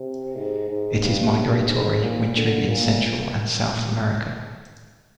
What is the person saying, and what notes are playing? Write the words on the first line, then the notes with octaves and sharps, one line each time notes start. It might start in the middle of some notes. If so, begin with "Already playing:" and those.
It is migratory, wintering in Central and South America.
Already playing: C3
G#2
G#2
G2
G2
G#2
A#2
D3
A#2